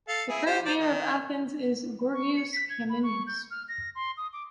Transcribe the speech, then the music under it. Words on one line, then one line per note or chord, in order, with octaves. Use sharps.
The current mayor of Athens is Giorgos Kaminis.
A4 F5
E4 G#4
G4 C5
C5 D5
D#3
C#6
C#7
B6
G#6
B5
C#6
G6
F6
A#6
C6
D#6
D6